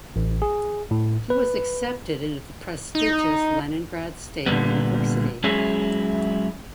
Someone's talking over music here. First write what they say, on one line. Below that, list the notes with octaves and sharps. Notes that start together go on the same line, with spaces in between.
He was accepted into the prestigious Leningrad State University.
A1
G#4
A2
B4
D#4
A#2 D3 D#3 G3 B3
F#3 G#3 C#4 E4 G#4 E5